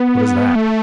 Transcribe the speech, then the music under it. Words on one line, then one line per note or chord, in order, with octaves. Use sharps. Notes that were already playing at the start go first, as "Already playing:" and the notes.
"What is that?"
Already playing: B3
A3